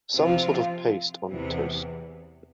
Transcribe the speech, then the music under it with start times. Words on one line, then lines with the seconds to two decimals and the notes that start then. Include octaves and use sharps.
Some sort of paste on toast.
0.14 C3 F3 C4 F4
1.30 E2 C3 E3 B3